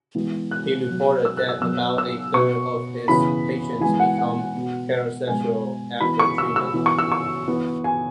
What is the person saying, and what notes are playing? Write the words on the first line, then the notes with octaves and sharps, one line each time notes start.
He reported that "about a third" of his patients became heterosexual after treatment.
E3 G#3 B3
F#6
B2 F#3 B3
E6
F#6
E6
B2 F#3 B3 E6
E6
B2 B3 C#6
C#3 E3 B3 B5
E3 G#3 B3 G#5
F#5
F#5
B2 B3
B2 G#3 B3 G#5
E3 B3 B5
C#6
E6
E6
E3 B3
C#6
E6
C#6
E3 B3
G#5